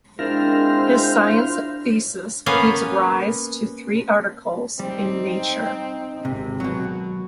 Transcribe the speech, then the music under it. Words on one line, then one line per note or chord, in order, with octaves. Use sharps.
His science thesis gives rise to three articles in Nature.
G#3 C4 D4 E4 F4 A#4 C5 F6
A#3 B3 C#4 B4 F5
G3 C4 D#4
G#1 C3
B2 F#3 F#4